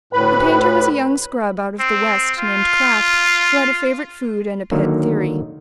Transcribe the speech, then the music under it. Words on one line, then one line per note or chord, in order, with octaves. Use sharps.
The painter was a young scrub out of the West named Kraft, who had a favourite food and a pet theory.
D2 A2 B4 B5
C4
F4
D3 D#3 F#3 A#3